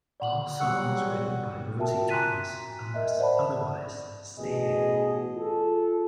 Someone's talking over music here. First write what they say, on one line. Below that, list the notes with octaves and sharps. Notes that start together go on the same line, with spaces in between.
All songs written by Rosie Thomas unless otherwise stated.
D5 F#5 F#7
E2 F#3 G3 F#5 C#6 E6
F4 F#4 A#4 E5 G5 A5
G#5 A#5 C6 F#6 B6 D#7
A#4 D#5 E5
C5 D5 F#5 A5 B5
A1 B2 G#4 D#5
F4 G#4 A4